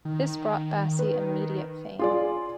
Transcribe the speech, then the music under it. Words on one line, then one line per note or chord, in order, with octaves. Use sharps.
This brought Bassi immediate fame.
D#3
B4
F4 G#4 D5